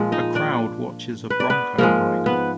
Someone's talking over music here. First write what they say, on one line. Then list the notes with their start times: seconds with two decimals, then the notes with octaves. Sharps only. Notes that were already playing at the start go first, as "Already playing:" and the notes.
A crowd watches a bronco rider.
Already playing: A#2 F3 G#3
0.12 D#4 D#5
0.35 D4 D5
1.30 B4
1.40 D5
1.50 B3 B4
1.78 G#2 F3 G#3 A#3 A#4
2.26 B3 B4